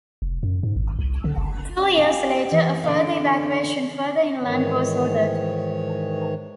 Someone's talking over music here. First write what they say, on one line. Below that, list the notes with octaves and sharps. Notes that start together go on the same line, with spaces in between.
Two years later a further evacuation further inland was ordered.
F1
F#2
G#2
G#1
C2
D3
F#1
C#4 G4 F5 G#5
E3
D3 F5
G#2 D#3 E3 C#5